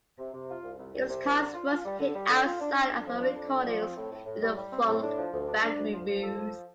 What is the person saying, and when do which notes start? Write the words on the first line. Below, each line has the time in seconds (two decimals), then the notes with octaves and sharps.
It was Khan's first hit outside of her recordings with the funk band Rufus.
0.18 C3
0.33 C3
0.49 F4
0.63 C2
0.78 C2
0.94 C2
1.09 C3
1.24 C2
1.39 D3
1.54 F4
1.70 F4
1.85 G3
1.99 D3
2.15 G3
2.29 D3
2.45 F4
2.60 D4
2.75 D4
2.90 F2
3.06 F3
3.20 D4
3.35 F2
3.50 D4
3.65 F3
3.81 C4
3.96 A2
4.10 A2
4.25 A2
4.41 G3
4.56 G3
4.71 C4
4.86 A2
5.02 D4
5.17 F3
5.32 D2
5.46 D4
5.62 D4
5.77 D2
5.92 F3
6.07 F3
6.22 A4
6.37 F3